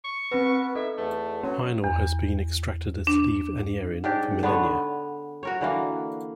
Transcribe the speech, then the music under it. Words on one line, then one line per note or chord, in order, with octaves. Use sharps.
Iron Ore has been extracted at Slieve Anierin for millennia.
C#6
B3 C4 B4
D#4 A4 E5
E2 A3
F#3 C#4
E2
D4
G#2 D4 G4
D3 B3 B4 C#5
F#4 A#4 C#5
D3 E3 A#3